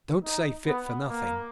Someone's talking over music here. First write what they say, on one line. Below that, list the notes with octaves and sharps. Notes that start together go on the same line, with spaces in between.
"Don't say fit for nothing."
D#4
B3
A#3